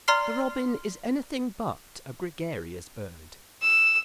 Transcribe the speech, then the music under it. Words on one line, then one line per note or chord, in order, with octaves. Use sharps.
The robin is anything but a gregarious bird.
D5 A#5 C6 F6 C7
E6